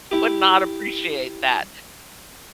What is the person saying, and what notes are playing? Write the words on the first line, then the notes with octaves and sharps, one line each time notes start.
would not appreciate that,
E4 G4